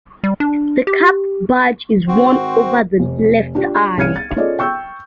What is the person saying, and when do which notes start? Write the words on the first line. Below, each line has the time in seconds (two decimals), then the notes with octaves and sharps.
The cap badge is worn over the left eye.
0.24 G3
0.40 D4
0.87 G4
2.08 G#2 D#3 C4 F#4 C5
2.99 F1
3.55 D4 F4 G4
3.97 C2 C#4 F6 G#6 C#7 D#7
4.16 A6
4.36 C#4 F4 G#4 A4 D5 D#5
4.59 G5 C#6 E6 G6